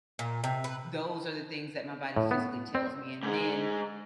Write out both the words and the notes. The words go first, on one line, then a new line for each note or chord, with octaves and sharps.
those are the things that my body physically tells me and then,
A#2
C3
B4
A2
B3
C4
G#2 G#3